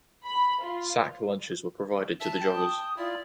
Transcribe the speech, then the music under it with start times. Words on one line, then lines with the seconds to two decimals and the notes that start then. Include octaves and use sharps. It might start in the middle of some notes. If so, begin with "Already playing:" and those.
Sack lunches were provided to the loggers.
0.24 B5
0.63 F4
2.20 E5 A5
2.41 G5
2.54 D#6
2.97 E4 F4 D5